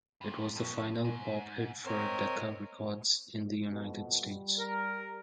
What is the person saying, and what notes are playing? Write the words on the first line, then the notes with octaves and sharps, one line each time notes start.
It was the final pop hit for Decca Records in the United States.
G2 A#2
F2 C#3
G#2
C4 A#4 C5 C#5 D#5
F2 B2
G3
A#4